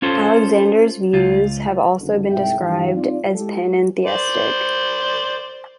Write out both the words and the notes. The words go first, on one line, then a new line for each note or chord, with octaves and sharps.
Alexander's views have also been described as panentheistic.
C#4 F4 A4 C5
C#2 F4
F#1 D3
C2 G#2 G#3 G#4 E5 G5
G2 E3 G4 F5
C4 D#4 F4 D5
G#3 E4 G4 A4
C5 D5